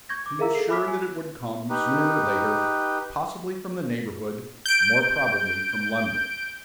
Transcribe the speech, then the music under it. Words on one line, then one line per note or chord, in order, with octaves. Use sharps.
He was sure that it would come sooner or later, possibly from the neighbourhood, more probably from London.
C#6 G6 G#6 A#6
D6
G#4 A#4 E5 F5 A#5 E6
A4 C7
E5 G#5 B5 D6 F6 B6
G#5
D#4 G4 B4
G6 D7